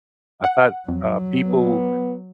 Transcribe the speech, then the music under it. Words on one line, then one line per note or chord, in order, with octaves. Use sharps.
I thought, uh, people
F#5
F2 F#3
B3